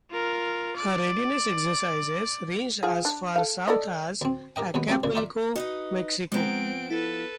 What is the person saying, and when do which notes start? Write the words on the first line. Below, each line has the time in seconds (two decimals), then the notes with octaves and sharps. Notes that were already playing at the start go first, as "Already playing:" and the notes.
Her readiness exercises ranged as far south as Acapulco, Mexico.
0.10 F4 A#4
0.76 D5
2.83 F4 G#4
3.05 D4
3.36 A4 F5
3.68 A4 D5 D#5
4.21 D2 C4
4.56 G4 A#4 D#5 G5
4.74 D#2 B2 G#3 B3
4.89 F#3 G#3 A3 C4 G4 F5
5.03 D2 A#2 C#3
5.15 D#4 F4 D5 E5 F5
5.56 D#4 F#4 B4 D#5
6.32 F3 G#3 B3 C4 A#5 D7
6.90 E4 A4 B4